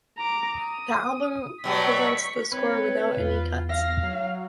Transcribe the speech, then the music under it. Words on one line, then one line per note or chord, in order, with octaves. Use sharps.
The album presents the score without any cuts.
A#5 D6
D#6
B2 F#3 G3 C#6 B6
C4 B4 C#5
E2 F4
F5 A#6
F#3